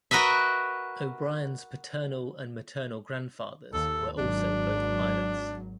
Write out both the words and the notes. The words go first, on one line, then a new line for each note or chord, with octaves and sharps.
O'Brien's paternal and maternal grandfathers were also both pilots.
F#4 A#4 B4 D#5 E5
D#2 A4
G#1 F#3 D4